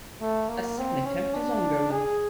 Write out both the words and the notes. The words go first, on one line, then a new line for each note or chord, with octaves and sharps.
A second attempt is ongoing.
A3
A#3
C4
C#4
D4
G#4